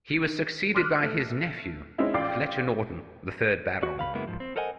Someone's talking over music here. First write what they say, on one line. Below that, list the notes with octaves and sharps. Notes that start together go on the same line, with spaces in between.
He was succeeded by his nephew, Fletcher Norton, the third Baron.
D#3
C6 D6 F6 F#6
A3
G#3 C4 C#4 D#4 E4
A1 F4 D5 G5 D6 C7
F#4
C#2 F5 B5
F#2 C#3 G#3 A#3 B3 E4
G#2 F3
C4
A4 A#4 C5 D#5 F#5 G#5